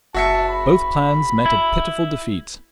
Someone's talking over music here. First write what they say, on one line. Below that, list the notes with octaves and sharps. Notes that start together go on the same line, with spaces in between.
Both plans met a pitiful defeat.
F#1 F#4 E5 A5 C#7
B5
E4